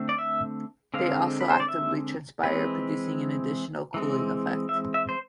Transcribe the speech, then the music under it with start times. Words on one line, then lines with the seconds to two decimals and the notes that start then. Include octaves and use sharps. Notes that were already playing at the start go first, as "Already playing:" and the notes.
They also actively transpire, producing an additional cooling effect.
Already playing: D3 A3 C4
0.09 D5
0.18 E5
0.94 D3 G#3 C4 F5
1.41 B4
1.50 C5
1.60 D5
1.68 E5
2.44 E3 G#3 C4 B4
3.94 E3 G#3 C4
4.69 E5
4.94 E5
5.09 C5